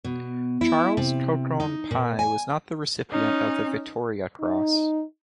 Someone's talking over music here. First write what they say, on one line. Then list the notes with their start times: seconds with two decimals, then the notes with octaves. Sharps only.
Charles Colquhoun Pye was not the recipient of the Victoria Cross.
0.04 B2
0.61 E4
0.97 C3
1.60 D#4
1.91 A#2
2.19 G#5
3.11 C#4 D#4
4.40 D#4